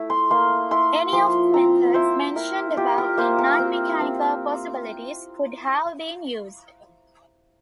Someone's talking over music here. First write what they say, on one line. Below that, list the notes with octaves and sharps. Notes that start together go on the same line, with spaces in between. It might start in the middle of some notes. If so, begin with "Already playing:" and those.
Any of the methods mentioned above in "Non-mechanical possibilities" could have been used.
Already playing: A3 E4
C6
A#3 C6
E4 C6
F3 C6
C4 A#5
E4 C5
E4 A#4
F4 G4
A#4
A#3 C5
A#4
C4
C4